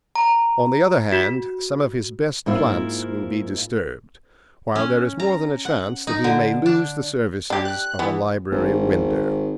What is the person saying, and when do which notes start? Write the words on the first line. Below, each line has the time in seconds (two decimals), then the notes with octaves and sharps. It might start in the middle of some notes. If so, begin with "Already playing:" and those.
On the other hand, some of his best plants will be disturbed, while there is more than a chance that he may lose the services of a library window.
0.15 A#5
1.12 F#4
2.46 G#2 A#3 E4 F4
4.75 C#4
5.20 A#5
5.65 F#5
6.07 D#4
6.24 D3
6.66 D4
7.50 D4 G4
7.65 F#6
7.99 E3 B3
8.51 G#1